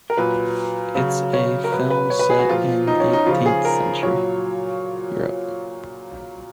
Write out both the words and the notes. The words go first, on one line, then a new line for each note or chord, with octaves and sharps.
It's a film set in eighteenth century Europe.
A#4
A#2 F#3 B4
C#3 F#3
C#5
A#4
B2 F#3 B4
B4
C#5
B4
G#4
F#4
A#2 F3 F4
D#4
C#4
D#4
C#3 F3 F4
G#4
A#4
A#2 F#3 C#5